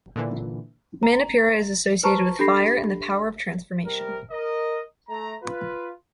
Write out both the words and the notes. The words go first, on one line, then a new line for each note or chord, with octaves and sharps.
Manipura is associated with fire and the power of transformation.
A#2 D3 E3
A#5
B4 C5 A5 A#5 C#6
D4 G4 A4 B5 A#6 C7
C3 G3 A#4
A#4 D#5
A3 A#5
F4 B4